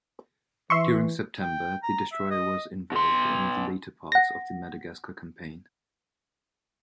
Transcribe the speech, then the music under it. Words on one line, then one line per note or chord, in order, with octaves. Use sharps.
During September, the destroyer was involved in the later parts of the Madagascar Campaign.
E3 E5 C6 C#6
G5
A#5
E5
D#5
B2 C6
F#5 A#6